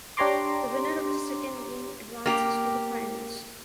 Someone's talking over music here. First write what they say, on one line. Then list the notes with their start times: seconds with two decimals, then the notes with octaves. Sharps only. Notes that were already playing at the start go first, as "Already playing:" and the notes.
The winner of the second game advances to the finals.
0.17 D4 G4 C#5 A#5 C6 D6
2.26 A#3 G4